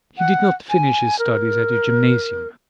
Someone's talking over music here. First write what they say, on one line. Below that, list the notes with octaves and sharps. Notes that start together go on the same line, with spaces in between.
He did not finish his studies at the gymnasium.
F#5
G#5
A#4